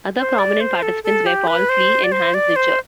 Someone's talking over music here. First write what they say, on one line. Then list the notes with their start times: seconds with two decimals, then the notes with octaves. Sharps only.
Other prominent participants were Paul Klee and Hans Richter.
0.17 C5
0.39 D5
0.60 C5
0.82 A4
1.04 A4
1.26 G4
1.47 B4
1.69 C5
2.04 D5
2.12 C5
2.34 D5
2.56 C5